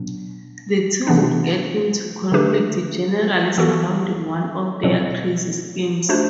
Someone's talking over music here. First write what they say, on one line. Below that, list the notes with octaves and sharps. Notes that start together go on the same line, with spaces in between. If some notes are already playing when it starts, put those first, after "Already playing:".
The two would get into conflicts generally surrounding one of their crazy schemes.
Already playing: B2 F#3 B3 D4
C3 E3 B3 D4
D3 A3 D4 G4 B4
E3 B3 F#4 A4
B2 F#3 C4
A3 D4 F#4 C5